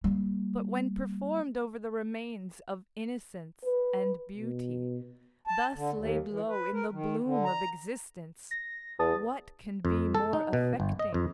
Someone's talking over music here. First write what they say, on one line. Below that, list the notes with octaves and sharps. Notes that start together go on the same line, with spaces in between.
But when performed over the remains of innocence and beauty, thus laid low in the bloom of existence, what can be more affecting?
G3 A#3
B4
B2
A5
D3
D#2
E3
B4
A#4
D#3
D3
A#5
A#6
E2 A5 D#6 A6
F2
A4
D#4
B2
G1
D#5
F2